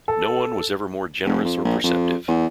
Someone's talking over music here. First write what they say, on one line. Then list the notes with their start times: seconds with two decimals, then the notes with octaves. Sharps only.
No one was ever more generous or perceptive.
0.08 A4
1.25 F1
1.45 F2
1.65 A#1
1.83 F2
2.28 E2